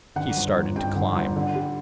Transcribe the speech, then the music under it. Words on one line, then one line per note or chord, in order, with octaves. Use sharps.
He started to climb.
D3 F#5
G1
G1
G2 G5
D3
G1
D3
G3